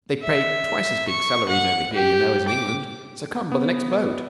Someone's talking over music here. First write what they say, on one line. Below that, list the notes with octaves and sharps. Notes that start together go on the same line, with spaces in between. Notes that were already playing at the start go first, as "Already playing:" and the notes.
They pay twice as big salaries over here, you know, as in England, so come by the next boat.
E5
C#6
F#5
G4
D6
B3